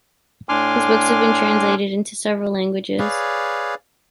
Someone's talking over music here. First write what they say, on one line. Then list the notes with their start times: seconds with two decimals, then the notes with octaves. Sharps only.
His books have been translated into several languages.
0.49 A2 D4 G#5 C6 D6 F6
2.99 G#4 B4 C#5 D5 F5